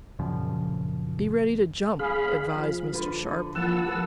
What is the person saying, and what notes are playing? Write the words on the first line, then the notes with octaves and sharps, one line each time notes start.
"Be ready to jump," advised Mr. Sharp.
A#1 F#2 C#3 F3
B3 D4 G#4 F5 B5
F3
D3 B4
E3 F3 A#3 F#5 A5 E6
B3 G#4 A#4